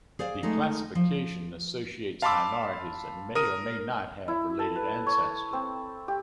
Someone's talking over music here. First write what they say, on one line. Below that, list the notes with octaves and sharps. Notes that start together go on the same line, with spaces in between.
The classification associates minorities that may or may not have related ancestry.
G#4 C5 D5 F5
G#3 A3 D#4
F3
F5 A5 B5 C6 D6 E6
A#4 D#6 D#7
E4
A4
B4
C#5
C4
G4